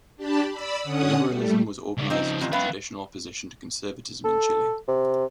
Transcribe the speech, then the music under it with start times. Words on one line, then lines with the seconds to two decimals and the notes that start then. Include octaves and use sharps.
Liberalism was organized as the traditional opposition to conservatism in Chile.
0.16 D4 G4 A5 B5
0.50 D5 B5 E6
0.82 D3 C#4 F#5 D#6
1.28 G3 A3
1.98 C#2 G3
2.10 C#3 F3 C4 D#4
2.41 F2 C3
2.53 F#2 B3 B4 F5 G5
4.25 A4
4.88 C3